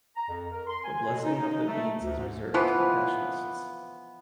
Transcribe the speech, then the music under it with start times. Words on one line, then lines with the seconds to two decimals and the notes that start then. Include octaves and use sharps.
The blessing of the beads is reserved to the Passionists.
0.15 A#5
0.28 F2
0.51 A#4
0.67 C6
0.84 G#5
1.09 B2
1.24 D#4
1.35 D#4
1.67 A3
2.03 D2
2.17 G#2
2.54 E3 F3 B3